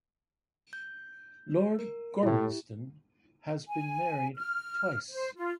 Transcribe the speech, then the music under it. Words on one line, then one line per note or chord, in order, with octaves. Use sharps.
Lord Gormanston has been married twice.
G6
A#4
A2 E4 G4
G#5
F6
C5
F4